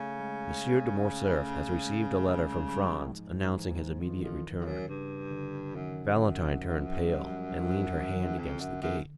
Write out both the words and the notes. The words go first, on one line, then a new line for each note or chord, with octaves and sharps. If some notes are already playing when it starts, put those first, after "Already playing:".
"Monsieur de Morcerf has received a letter from Franz, announcing his immediate return." Valentine turned pale, and leaned her hand against the gate.
Already playing: C#3 A3
G#3
A3
G#3
G3
G#3
G3
F#3
A2
G#2 F3
E3
F2 D#3
E3
F2 D#3
F2
F#2
G2 C#3
D3
F#2 D#3
F3
G3
F3
E3
D#3
F2 D3
F#2
F#2